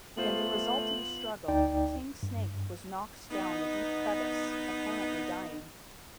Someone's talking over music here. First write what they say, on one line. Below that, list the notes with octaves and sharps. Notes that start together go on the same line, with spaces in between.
In the resulting struggle, King Snake was knocked down a deep crevice, apparently dying.
A3 B3 F4 C5 F#7
D2 D#4 D5 G5
G2
B3 D#4